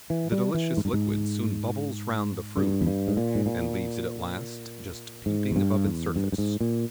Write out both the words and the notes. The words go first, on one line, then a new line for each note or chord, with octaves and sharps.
The delicious liquid soon bubbles round the fruit, and leaves it at last just peeping above its surface.
E3
G3
E3
G#2
G2
G#2
G2
E2
G2
G#2
A#2
G#2
A#2
G#2
E2
G2
E2
G2
G2
G#2
A#2